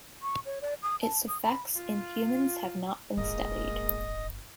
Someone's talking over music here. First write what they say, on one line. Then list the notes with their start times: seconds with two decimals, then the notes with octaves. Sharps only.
Its effects in humans have not been studied.
0.22 C#6
0.46 C#5
0.61 D5
0.83 D#6
1.02 A5
1.28 D#6
1.43 B5
1.76 F4
3.17 D1 G1 G#3 A#3 D#5